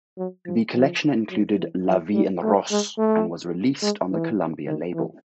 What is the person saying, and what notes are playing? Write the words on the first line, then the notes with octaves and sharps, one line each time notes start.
The collection included "La Vie en rose" and was released on the Columbia label.
F#3
F3
F3
F#3
E3
F3
G3
A3
G#3
A3
G#3
E3
D#3
E3